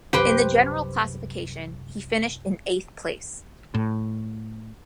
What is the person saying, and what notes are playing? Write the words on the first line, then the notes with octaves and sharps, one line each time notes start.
In the general classification, he finished in eighth place.
C2 F#2 G4 B4 C5 G5
A2